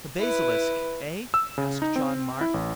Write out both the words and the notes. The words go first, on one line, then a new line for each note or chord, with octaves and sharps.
"The basilisk, eh?" asked John Mark.
E4 B4
E6
C#3
D#4
C4
E4
A1